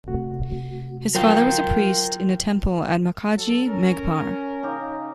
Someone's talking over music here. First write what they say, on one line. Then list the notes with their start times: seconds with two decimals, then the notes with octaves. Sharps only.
His father was a priest in a temple at Makaji Meghpar.
0.08 C3 A3 F#4
1.15 F#3 F4 A#4 C5 F5 G5
3.35 F#3 A4
3.67 C#4 A#4
4.63 C#3 D#4 G4